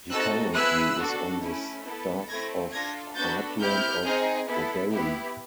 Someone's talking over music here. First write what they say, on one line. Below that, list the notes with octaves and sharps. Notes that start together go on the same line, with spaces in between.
He currently is on the staff of Heartland of Owerri.
C4 D#4 F#4 A4 E6 F#6
B3 E4 G#4 E6 F#6
D4 F#4 A4
A3 C#4 E4
B3 E4 A4
A3 C4 E4 G#6 A#6
D4 F4 A4 G#6 A#6
B3 D4 F#4 A4 G6 A6
C4 E4 G4 F6 G6
C4 D#4 G#4
B3 E4 A4
B3 E4 G4